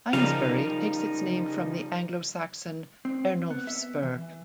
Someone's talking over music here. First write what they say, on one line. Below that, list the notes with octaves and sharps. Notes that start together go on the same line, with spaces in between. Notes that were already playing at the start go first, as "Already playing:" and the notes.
Eynesbury takes its name from the Anglo-Saxon "Ernulf's Burgh".
C#3 F3 G3 D#4 A#4 F5
C4
B3
E5
E3